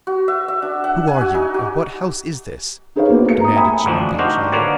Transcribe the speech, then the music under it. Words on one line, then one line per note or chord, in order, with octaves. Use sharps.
"Who are you? and what house is this?" demanded Jean Valjean.
F#4
E5
E5
D4
F#5
G#5
F#4
D#4
F#4
D#4 G#4 A#4 B4 C#5 F5
A#3 B3 F#4 C5
A3 C#7
A#5 D#6
E5 G5 G#5 A#5 B5 D#6
A1 D2 F3 D4
D4 D#4 F#4 G4 A#4 C5
D3 A#3 A#4 B4 C#5 D5